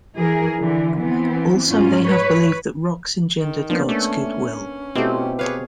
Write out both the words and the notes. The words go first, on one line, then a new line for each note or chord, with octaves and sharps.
Also, they have believed that rocks engendered God's good-will.
E3 G#4 A#4
D3 E3
E3 B3 C4
G#2 F#3 C#4 F4
B4 C#5
D#3
F3 A#3 B3 D4
A3 C#4
B2 A3 C4 E4 G4
G#4 B4 C#5 F5